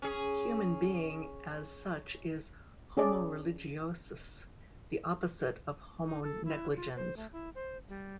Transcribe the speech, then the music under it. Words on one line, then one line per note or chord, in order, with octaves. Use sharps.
Human being as such is "homo religiosus", the opposite of "homo negligens".
C#4 G#4
C#4 G#4 C#5 D5
D#4
A4
E4
F4
C5
A3
E4
C5
G3